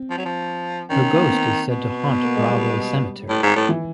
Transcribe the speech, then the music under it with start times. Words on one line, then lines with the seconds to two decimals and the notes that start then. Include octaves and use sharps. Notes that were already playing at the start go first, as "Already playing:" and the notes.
Her ghost is said to haunt Rahway Cemetery.
Already playing: C4
0.10 F3
0.18 F#3
0.25 F3
0.90 D#3 C#4
1.11 A#3
1.21 B3
1.30 C4
1.70 B2
2.10 B3
2.23 A#3
2.36 G#3
2.50 G3
3.29 A2
3.43 G#2
3.56 A2
3.69 E3